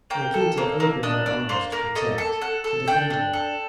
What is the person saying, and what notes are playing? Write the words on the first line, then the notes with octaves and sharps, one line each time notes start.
Yaquita opened her arms to protect, to defend her.
A#3 G5
A4
A#3
A#3
D4 D#5
D4 D5
A#3 C5
A#3 A#4
A4 D#5
A4
A4 F#5
A4
D4 G5
D4
A4